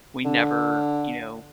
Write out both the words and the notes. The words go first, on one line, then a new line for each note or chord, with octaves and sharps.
we never you know,
D3